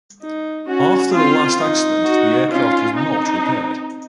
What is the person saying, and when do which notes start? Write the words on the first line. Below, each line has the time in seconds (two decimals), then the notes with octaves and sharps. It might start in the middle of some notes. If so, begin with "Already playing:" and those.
After the last accident the aircraft was not repaired.
0.22 D#4
0.68 C#4 F#4
1.14 C4 F4
1.60 D#4
2.06 F#4
2.51 C#4 F4
2.97 C4 D#4